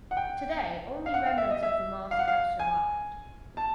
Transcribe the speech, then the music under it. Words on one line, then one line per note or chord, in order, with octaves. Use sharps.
Today only remnants of the mosque have survived.
F#5
G5
F5
F#5
F5
E5
D#5
E5
F5
F#5
F5
G#5
A5